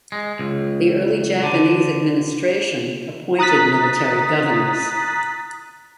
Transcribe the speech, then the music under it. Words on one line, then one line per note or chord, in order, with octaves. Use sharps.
The early Japanese administration appointed military governors.
G#3
C#2
D3
A#5 D#6 F#6 A6 B6